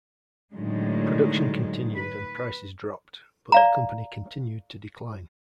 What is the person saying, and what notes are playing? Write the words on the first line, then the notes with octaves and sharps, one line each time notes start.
Production continued and prices dropped but the company continued to decline.
A2 D3 D#3 F#3 G#3
B4
D5 F5 A#5